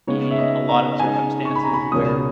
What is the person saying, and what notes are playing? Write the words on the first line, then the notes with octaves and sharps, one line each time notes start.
in a lot of circumstances where,
C#3 G#3 B3 D#4 C#5
E5
D#5
A#5
C#3 G#3 D#4 G#5
C#6
B5
A#5
B5
C#2 B2 G#3 C#4 D#6